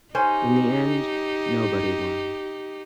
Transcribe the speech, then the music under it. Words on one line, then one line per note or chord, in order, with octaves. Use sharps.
In the end, nobody won.
C#4 D#4 G4 C5